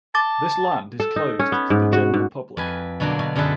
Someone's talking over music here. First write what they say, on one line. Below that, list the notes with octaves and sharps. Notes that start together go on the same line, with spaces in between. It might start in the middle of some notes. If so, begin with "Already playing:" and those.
This land is closed to the general public.
A5 D6 A6
A4
D#4
C#4
B3
G#2
F#4
G#2
F2 B4 G#5
B2 D3 F#3 A#3 D4
B2
F#2 D3 G#4 A4 B4 E5